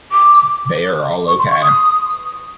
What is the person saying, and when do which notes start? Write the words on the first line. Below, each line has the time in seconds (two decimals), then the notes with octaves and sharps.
They are all OK.
0.12 D6
1.28 C#6
1.39 C6
1.51 C#6
1.62 D#6